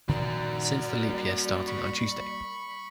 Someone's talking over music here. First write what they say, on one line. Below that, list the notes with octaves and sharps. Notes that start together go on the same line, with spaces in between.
Since the leap year starting on Tuesday.
A#2 D#3 F3 F#4 A#4 D5
G3 A#3
B5 C#6